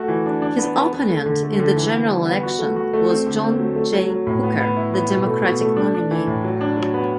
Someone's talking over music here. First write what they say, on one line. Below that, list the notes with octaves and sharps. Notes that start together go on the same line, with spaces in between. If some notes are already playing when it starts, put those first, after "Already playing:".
His opponent in the general election was John Jay Hooker, the Democratic nominee.
Already playing: A3 F#4
E3
D4
D4
B3
B3
B3
A3
D3
A3
D3
E3
B3
G3
B3
F#4
A3
F#4
A3
C4
D3
C4
F#3
A3
F#3
F#3
A2
B3
B3
E4
B3
B2
A3
B2
A3
D4
D4
E3
A2
F#3
D4
F#3
B3